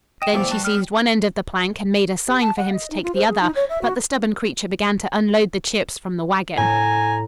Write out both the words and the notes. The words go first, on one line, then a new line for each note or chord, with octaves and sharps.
Then she seized one end of the plank and made a sign for him to take the other; but the stubborn creature began to unload the chips from the wagon.
D#5 G5 E7
B2 E3 F3 A3 E4 D5
G2 G3 F#4 A5
G3 B3 G4 F6
G4
A5
F#5
D#5
D#4
F4
C5
G#4
D#4
C#5
E5
F#4
A2 G#5 A#5